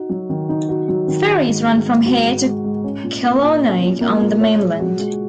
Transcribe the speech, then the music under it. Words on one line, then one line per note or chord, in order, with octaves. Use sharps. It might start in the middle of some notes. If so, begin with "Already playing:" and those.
Ferries run from here to Claonaig on the mainland.
Already playing: D#4 F#4
F#3
D#3
D#4
F#4
F#3
D#3
F#4
G#2
G#3
G#2
F#4
G#2
G#3
G#2
C#4
A#2
A#3
A#2
C#4
A#2
A#3
A#2
C#5
G#3
F#4
G#3